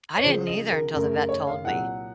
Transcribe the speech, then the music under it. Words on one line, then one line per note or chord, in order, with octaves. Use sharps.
I didn't either until the vet told me.
C#5
C#2 C#3 F3 C5
D#5
A#4
F#2 C#3 A3 A#4
A#4
C#5
F5
C2 A#2 F#3 F#5